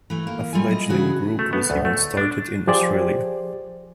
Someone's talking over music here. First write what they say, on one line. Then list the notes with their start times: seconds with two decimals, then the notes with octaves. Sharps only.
A fledgling group was even started in Australia.
0.10 E3 A3
0.27 A#3
0.53 G3 F4 A4 E5 G#5
0.71 D#5
0.89 C#3 E3 E4 F#4 G#4
1.39 A3
1.53 B3
1.70 D2
1.85 A3
2.17 D4
2.67 F3 G4 G#4 C5 D5